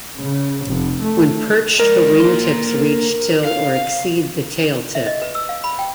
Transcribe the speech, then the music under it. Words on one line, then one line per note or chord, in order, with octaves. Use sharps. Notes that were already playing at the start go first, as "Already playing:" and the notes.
When perched the wing tips reach till or exceed the tail tip.
C#3
F1
A3
G#3 A#4 D5
A#3 C6
F5
E5
D#5
B4
E6
F5
B5
G5